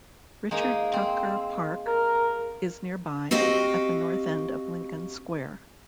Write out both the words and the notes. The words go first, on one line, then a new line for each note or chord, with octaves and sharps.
Richard Tucker Park is nearby, at the north end of Lincoln Square.
G#3 A#3 D#4
C4
A#4
C4 F#4 G4 D#5 F5